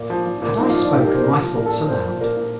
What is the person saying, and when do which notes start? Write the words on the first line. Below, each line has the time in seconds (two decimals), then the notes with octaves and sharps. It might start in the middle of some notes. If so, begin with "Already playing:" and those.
Had I spoken my thought aloud?
Already playing: A#2
0.10 F3
0.26 F3
0.42 A#2
0.58 F3 D#4
0.70 F4
0.74 F3
0.80 D4
0.90 A#2 D#4
0.99 G4
1.07 F3 A#4
1.15 C5
1.23 A#2 A#4
1.40 F3
1.55 A#2 A#4
1.66 A4
1.71 A#2
1.78 A4
1.88 A#2 C5
2.05 F3
2.20 A#2 A#4
2.37 A#2